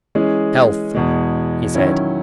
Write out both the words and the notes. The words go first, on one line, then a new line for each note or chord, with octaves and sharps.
"Health," he said.
E3 G#3 C#4 G#4
E2 B2 G#3
D#3 F#3 C#4 E4